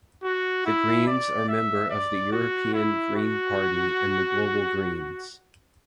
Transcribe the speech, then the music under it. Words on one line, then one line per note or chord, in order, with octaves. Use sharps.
The Greens are member of the European Green Party and the Global Greens.
F#4
E4
D5
E5
D5
F#4
E4
F#4